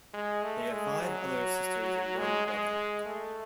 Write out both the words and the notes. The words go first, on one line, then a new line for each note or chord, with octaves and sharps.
They have five other sisters and one brother.
G#3
A3
G#3
F#3
G#3
G#3
A3